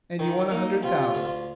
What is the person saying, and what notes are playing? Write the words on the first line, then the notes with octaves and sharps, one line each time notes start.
And you want a hundred thousand.
D#3 D#4
A#3 D#4
C3 F4
D2